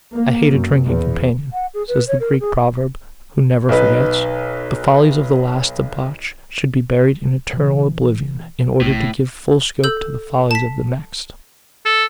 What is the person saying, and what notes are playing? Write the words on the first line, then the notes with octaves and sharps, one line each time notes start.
I hate a drinking companion, says the Greek proverb, who never forgets. The follies of the last debauch should be buried in eternal oblivion, in order to give full scope to the follies of the next.
A#3
F#2
E2
F#5
G#4
B4
C#5
A#4
G#4
B1 D#4 B4
B2 E3
A#1 A2
A4 E6 G6
A5 B6
A4